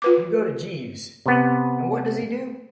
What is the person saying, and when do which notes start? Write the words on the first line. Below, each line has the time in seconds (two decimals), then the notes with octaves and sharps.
You go to Jeeves, and what does he do?
0.02 F4 B4 D6
1.26 C3 B3